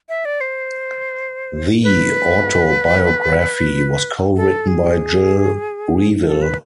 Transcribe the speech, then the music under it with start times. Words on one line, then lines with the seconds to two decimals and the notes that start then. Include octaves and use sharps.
The autobiography was co-written by Gil Reavill.
0.09 E5
0.25 D5
0.41 C5
1.84 B4
4.36 A4
4.68 G#4
6.26 A4
6.42 B4